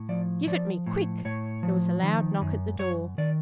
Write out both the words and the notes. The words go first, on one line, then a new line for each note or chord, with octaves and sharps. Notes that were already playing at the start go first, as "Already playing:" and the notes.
"Give it me, quick!" There was a loud knock at the door.
Already playing: A2
F3 D5
F3 D5
A2
A2 C#5
F3
D#3
F#2
F#2 C#5
D#3 D5